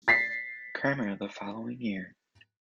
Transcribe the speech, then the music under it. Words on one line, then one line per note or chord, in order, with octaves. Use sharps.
Cramer the following year.
A6 B6 C7